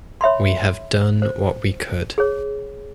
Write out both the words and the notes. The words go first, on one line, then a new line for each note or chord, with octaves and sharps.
We have done what we could.
C#5 E5 B5 C6
C5
G#4 C#5